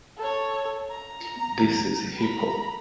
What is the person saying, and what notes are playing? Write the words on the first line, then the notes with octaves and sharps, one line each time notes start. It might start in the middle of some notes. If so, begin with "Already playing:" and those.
This is hip-hop!
A4 C#5
A#5
A#5 B5